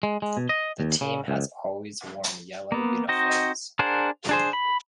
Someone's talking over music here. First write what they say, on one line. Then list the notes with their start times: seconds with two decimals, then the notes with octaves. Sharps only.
The team has always worn yellow uniforms.
0.03 G#3
0.22 G#3
0.37 B2
0.49 D#5
0.80 D#2
1.01 C#3
1.28 C#2
2.72 A#3 B3
3.09 C4 D#4 F#4 C5 D#5
3.79 D4 G#4 A#4 C5 F#5
4.29 D4 G#4 C5
4.53 B5